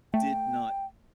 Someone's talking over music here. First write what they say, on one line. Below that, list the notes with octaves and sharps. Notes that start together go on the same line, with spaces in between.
did not
A3 G5